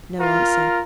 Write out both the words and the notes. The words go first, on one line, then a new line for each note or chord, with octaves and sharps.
No answer.
F4 A#4